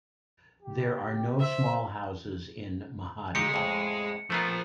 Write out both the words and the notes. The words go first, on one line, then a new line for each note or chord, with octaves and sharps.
There are no small houses in Mehadia.
G4
C5 E5
A#2 G#3 D#4 G4 C#7
F2 A2
F3 A3 B3 F4 A#4